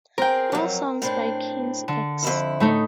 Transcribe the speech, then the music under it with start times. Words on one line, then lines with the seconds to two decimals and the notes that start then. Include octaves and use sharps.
All songs by King's X.
0.18 C4 G#4 A#4 G5
0.52 F2 F#3
1.02 A2 C4 D4
1.88 D3
2.22 F2 G#2 E4
2.60 A2 A3 D#4